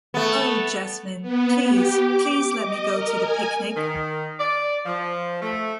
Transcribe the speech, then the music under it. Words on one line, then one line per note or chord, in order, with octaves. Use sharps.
Oh, Jasmine, please, please, let me go to the picnic.
A3 B3
B3
G4
D6
D#5
A#4
G#5
D#3
D5
F3
A3